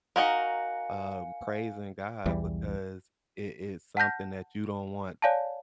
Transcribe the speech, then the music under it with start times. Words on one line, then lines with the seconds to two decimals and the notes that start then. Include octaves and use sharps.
um, praising God because it is something that you don't want
0.16 D#4 F#4 A#4 F5 G#5 C#7
2.26 B1 E2 E3 G3
3.97 F#5 A5 F6 G6 A#6
5.22 C#5 D5 F5 G#5 A5